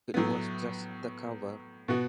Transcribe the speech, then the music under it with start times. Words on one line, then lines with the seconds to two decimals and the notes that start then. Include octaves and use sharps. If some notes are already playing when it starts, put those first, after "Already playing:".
It was just the cover.
0.14 A2 F#3 B3
1.88 B2 B3 F#4